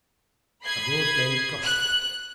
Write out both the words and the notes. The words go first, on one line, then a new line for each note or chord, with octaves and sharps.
A broad-gauge gossip.
B5 D#6 G#6 C7
F#6